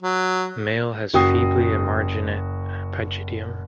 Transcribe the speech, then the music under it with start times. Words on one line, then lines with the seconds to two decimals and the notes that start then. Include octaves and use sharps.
Male has feebly emarginate pygidium.
0.03 F#3
1.14 F#1 F#4 G5 D#6 C7